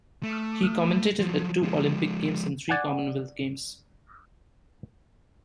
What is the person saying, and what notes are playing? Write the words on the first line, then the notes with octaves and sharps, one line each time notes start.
He commentated at two Olympic Games and three Commonwealth Games.
A3
F3 F#3
F3 G#3
D5 F#5 G#5